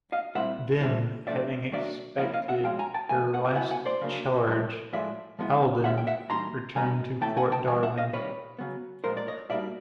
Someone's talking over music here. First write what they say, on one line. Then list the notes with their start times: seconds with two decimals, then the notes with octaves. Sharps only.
Then, having expended her last charge, "Alden" returned to Port Darwin.
0.12 D#5 F5
0.35 A#2 G3 C4 E4 E5 F#5
0.81 A2 E3 G3 C4 E4
1.27 F3 A3 D4 D5 E5
1.72 D#3 F#3 A#3 D4 D5 E5
2.18 F3 A#3 C#4 E4 D#5 F5
2.33 D#5 F5
2.48 E5 F#5
2.64 F3 G#3 C#4 F5 G5
2.79 G#5 A#5
2.94 G5 A5
3.09 C#3 E3 A3 G#5
3.34 F#5
3.45 G5
3.55 F#3 B3 E4 F#5 G#5
3.71 F#5 G#5
3.86 C5 D5
4.01 C#3 F#3 A#3 D4
4.46 A2 F3 G#3 C#4 E4
4.93 A2 F3 G#3 D5 E5
5.39 F3 G#3 B3 E4
5.84 D#3 G#3 C#4 E4 E5 F#5
5.98 G5
6.07 E5 F#5
6.30 E3 G3 A#3 D#4 A#5 C6
6.75 B2 G3 B3 D4 G#5 A#5
7.21 E3 A3 C#4 E4 G5 A5
7.37 F#5 G#5
7.52 G5 A5
7.67 C#3 E3 G3 G#5
7.83 E5 F#5
7.98 D#5 F5
8.13 C3 D#3 G3 B4 C#5
8.59 C#3 F#3 B3
9.04 A#2 F3 G#3 A#4 C5
9.17 D5
9.27 C#5 D#5
9.50 B2 G3 A#3 D#4 D5 E5